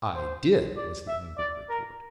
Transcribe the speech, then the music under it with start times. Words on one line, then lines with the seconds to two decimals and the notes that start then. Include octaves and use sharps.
"I did," was the angry retort.
0.16 C5
0.77 D5
1.08 E5
1.38 D5
1.70 A#4